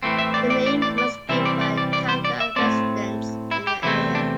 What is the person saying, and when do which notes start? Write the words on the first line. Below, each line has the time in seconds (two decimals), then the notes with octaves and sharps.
The name was given by Tanka residents in the area.
0.03 A2 E3 A3 C4
0.18 E5
0.34 D5
0.50 D5
0.66 D5
0.82 D5
0.98 D5
1.29 C3 E3 G3 C4 E5
1.45 D5
1.61 D5
1.77 D5
1.93 D5
2.09 C5
2.25 D5
2.40 E5
2.56 A2 A3 C4 D5
3.51 E4
3.67 G4
3.83 E2 C3 A3 C4 E4
4.15 D4